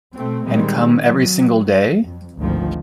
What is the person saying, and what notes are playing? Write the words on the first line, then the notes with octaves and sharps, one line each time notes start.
And come every single day?
B2 A3 C4
A#2 D#3 G3 G#3 C4
F#3
F2
G#1 D2 D#3 F3